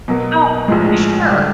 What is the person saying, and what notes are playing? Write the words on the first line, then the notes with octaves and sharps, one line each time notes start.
Oh, for sure.
B2 F#3 A#3
A#1 A2 F3 G#3
D3 G3